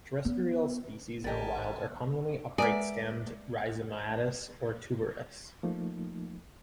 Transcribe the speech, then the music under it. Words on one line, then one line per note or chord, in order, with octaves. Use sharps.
Terrestrial species in the wild are commonly upright-stemmed, rhizomatous, or tuberous.
B3
A1 G4 A4 A#4 D5 D#5 G#5 A5
G#3 G#4 A#4 B4 D5 E5
F3 A3 A#3 D#4